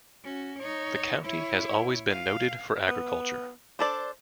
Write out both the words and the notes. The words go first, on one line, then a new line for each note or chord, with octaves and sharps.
The county has always been noted for agriculture.
C#4 F#4
D#4 C#5
E4 C#5
F5
B3
D4 A4 C5 D5